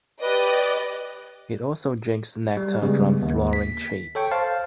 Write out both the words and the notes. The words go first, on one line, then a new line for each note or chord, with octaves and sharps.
It also drinks nectar from flowering trees.
G4 B4 D5 D#5
G3
C#3 G3 G#3 B3
D#2
B6
A4 C#5 G5 C#6
C5 F5 A5